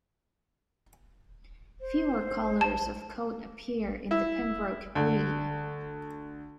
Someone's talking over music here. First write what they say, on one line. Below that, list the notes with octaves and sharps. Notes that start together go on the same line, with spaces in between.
Fewer colours of coat appear in the Pembroke breed.
C5
A5
E4
D2